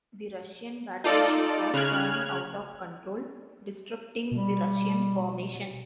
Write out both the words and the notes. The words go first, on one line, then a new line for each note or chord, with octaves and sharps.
The Russian battleship was turning out of control, disrupting the Russian formation.
D#4 F4 A4 D5
C#3 F6 F#6 G#6
B2 G3